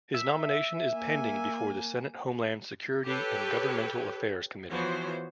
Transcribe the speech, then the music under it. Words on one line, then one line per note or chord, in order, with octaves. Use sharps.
His nomination is pending before the Senate Homeland Security and Governmental Affairs Committee.
E5
A#3 G#5
G4 A4 B4 C#5 G5
E3 F3 B3 F#4 C5 C#5